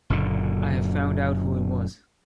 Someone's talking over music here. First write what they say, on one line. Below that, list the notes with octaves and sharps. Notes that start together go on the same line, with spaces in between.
I have found out who it was.
F#1 F#2 A#2 D3